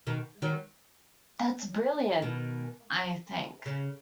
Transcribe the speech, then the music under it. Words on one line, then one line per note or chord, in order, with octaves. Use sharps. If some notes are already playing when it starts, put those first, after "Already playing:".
That's brilliant, I think.
B2 D#3
D#3 F#3
B2 D#3
C#3